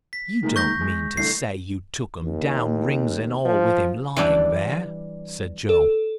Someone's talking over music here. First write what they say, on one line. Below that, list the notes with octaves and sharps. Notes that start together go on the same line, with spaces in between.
"You don't mean to say you took 'em down, rings and all, with him lying there?" said Joe.
B6
D#3 G#3 A#3
C#6 G6 A#6
G#3
C2 D3 A3 C7
D#2
F3
E3 G3 D4 G4
A4